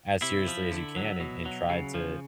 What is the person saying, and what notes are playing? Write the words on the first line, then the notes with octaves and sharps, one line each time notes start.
as seriously as you can and and try to
C3 E4
F3
D3
F#3
B2
F#3
C#3
F3